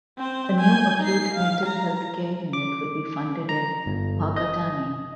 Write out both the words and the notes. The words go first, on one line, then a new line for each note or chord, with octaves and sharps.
A new acute mental health care unit will be funded in Whakatane.
C4 C5
G#5 G6
D#4 C7
F5
A#5
D6
A#5
G1
D#5